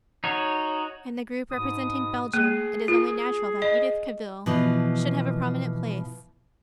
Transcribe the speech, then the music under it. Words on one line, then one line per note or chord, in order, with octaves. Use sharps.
In the group representing Belgium it is only natural that Edith Cavil should have a prominent place.
D#4 F#4 C#5
G#2 B2 D#6
A#3 G#4
F4
D#5
B2 E3 F3